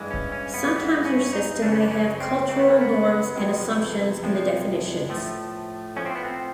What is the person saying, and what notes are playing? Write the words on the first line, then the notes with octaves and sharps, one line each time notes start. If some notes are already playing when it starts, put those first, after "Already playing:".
Sometimes your system may have cultural norms and assumptions in the definitions.
Already playing: G2 E3 G#3
C#4
C#4
B3
G2 E3 G#3 B3
C#4
D#4
F#2 C#3 E3 A3 D4
C#4
D4
C#4
C4
F#2 C#3 E3 A3 C4
B3
A#3
B3
F2 C3 F3 G#3
F2 C3 F3 G#3
A2 F3 A3
A2 F3 A3 C#4
C4
B3
C4